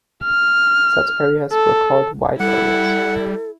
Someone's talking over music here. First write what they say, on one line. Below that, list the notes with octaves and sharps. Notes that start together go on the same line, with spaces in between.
Such areas were called 'white areas'.
F6
A4
G3 E4 A4 F#5